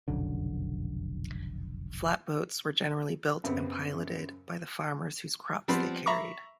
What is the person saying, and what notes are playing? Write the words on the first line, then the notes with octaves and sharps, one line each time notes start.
Flatboats were generally built and piloted by the farmers whose crops they carried.
F1 B1 F#2 D3
F#2 C#3 B3 C4
F3 G3 B3 C4 B5
E5 A#5 B5 C#6 D6